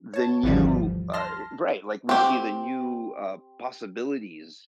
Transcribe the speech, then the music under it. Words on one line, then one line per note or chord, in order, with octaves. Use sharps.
the new uh, right, like, we see the new, uh, possibilities
C#5 A5
G#1 D#2 D3 E3 F3 G3
A5 C6 F6 A#6
C4 G4